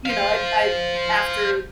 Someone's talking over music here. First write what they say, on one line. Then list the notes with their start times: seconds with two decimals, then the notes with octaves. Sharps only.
you know, I'd I'd after
0.06 C5 F5